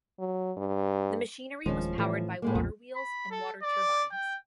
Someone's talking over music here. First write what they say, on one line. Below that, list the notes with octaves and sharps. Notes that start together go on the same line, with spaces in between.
The machinery was powered by water wheels and water turbines.
F#3
G2
D1 D#3 F3 G#3 C#4
A2 E3
A2 G#3 A#3
B1 F2
B5
A4
D5
G5